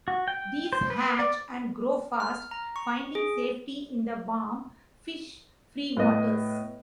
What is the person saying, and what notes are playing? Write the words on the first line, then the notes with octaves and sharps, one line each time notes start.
These hatch and grow fast, finding safety in the warm fish-free waters.
F#4
G5
C5
B4
D5
F6
A#5
C#6
G#4
A2 B3 D#5